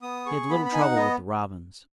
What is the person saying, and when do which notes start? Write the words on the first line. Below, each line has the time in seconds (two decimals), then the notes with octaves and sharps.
He had little trouble with the robins.
0.02 B3 D#6
0.26 G#4 C#6
0.49 B3 B5
0.65 B5
0.72 D#4 G#5
0.81 F#5
0.96 B3 D#5